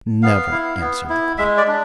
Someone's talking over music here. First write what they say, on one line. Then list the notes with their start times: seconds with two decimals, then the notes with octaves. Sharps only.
"Never," answered the Queen.
0.23 B3 F5
0.52 E4
0.81 B3
1.09 E4
1.38 G#3 E5
1.57 D5
1.67 D4